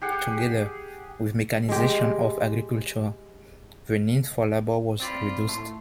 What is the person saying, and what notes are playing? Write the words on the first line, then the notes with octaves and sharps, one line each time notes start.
Together with mechanization of agriculture, the need for labor was reduced.
G4 G#4 F#5
G#3 G4
C4 F4 D5 B5
A2 A3 C6